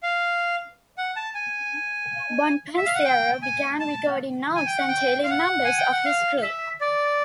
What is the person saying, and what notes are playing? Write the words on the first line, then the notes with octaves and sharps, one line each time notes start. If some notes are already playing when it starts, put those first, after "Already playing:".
Bonpensiero began recording notes and tailing members of his crew.
F5
F#5
A5
G#5
E5
F5
F#5
G5
G#5
A5
G#5
G5
F#5
G5
F5
F#5
G#5
G5
F#5
F5
E5
D5